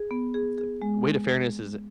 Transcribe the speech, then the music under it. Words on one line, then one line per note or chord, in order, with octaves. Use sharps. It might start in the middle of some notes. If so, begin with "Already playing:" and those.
the way to fairness is
Already playing: G#4
B3
G#4
G#4
G#3